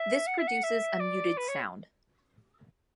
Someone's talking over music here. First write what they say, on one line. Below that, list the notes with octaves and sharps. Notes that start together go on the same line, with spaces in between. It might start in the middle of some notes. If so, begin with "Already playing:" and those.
This produces a muted sound.
Already playing: E5
F#5
E5
F#5
E5
D5
B4
C#5